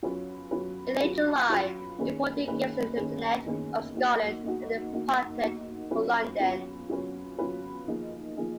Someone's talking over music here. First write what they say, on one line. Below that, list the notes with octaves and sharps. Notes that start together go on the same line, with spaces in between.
In late July he appointed Gaveston Lieutenant of Scotland, and departed for London.
F#3 C#4 F4 B4
F#3 C#4 F4 B4
F#3 C#4 F4 B4
F#3 C#4 F4 B4
D#3 A#3 C#4 G#4 B4
D#3 A#3 C#4 G#4 B4
D#3 A#3 C#4 G#4 B4
D#3 A#3 C#4 G#4 B4
A#3 D#4 F#4
A#3 D#4 F#4
A#3 D#4 F#4
A#3 D#4 F#4
F#3 C#4 F4 B4
F#3 C#4 F4 B4
F#3 C#4 F4 B4
F#3 C#4 F4 B4
F3 A#3 D#4 G#4
F3 A#3 D#4 G#4